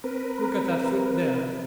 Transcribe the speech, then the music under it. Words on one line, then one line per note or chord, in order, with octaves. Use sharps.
Look at that foot there.
C4 A#4 B4